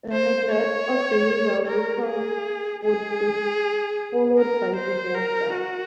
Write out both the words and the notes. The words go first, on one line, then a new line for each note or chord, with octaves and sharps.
The neglect of the usual ritual would be followed by disaster.
C5
C#5
A#4
G#4
G#4
A#4
C5
A#4
F#4